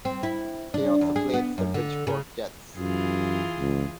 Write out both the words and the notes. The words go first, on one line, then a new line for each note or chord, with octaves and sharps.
He also played for the Bridgeport Jets.
C4
E4
D4
E2
G#4
B3
F#2
D3
C#3
F#2 E3 F4 G#4
C#2